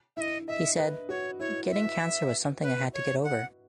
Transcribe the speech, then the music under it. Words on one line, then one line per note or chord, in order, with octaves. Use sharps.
He said: Getting cancer was something I had to get over.
E4 D#5 E5
D#5 E5
B4
F#4 C#5
E4 C#5
E5
B4
C#5
F#5